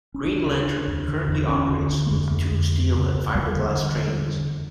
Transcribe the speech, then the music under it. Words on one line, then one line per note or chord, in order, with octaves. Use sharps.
Green Lantern currently operates with two steel-and-fiberglass trains.
C#4
D2 D4
C#3
D2
E2
D3
E2
D2 C#4
D3
D2
A#3
F2 A3
D3
F2
D2
C#3
D2
E2 G3
D3
E2
E2
D3
E2